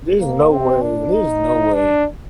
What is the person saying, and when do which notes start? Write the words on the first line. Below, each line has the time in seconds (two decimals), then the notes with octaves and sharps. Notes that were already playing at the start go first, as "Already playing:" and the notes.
There's no way, there's no way.
0.20 A#3
0.50 C4
0.82 D4
1.13 D#4
1.73 D4